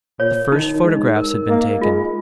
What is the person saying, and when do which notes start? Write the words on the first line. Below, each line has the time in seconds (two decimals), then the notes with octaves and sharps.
The first photographs had been taken.
0.19 A#2 C#5
0.52 D#3 D#4
0.84 G#3 D#4
1.16 A#4
1.49 A#3 D#5
1.81 G#3 F4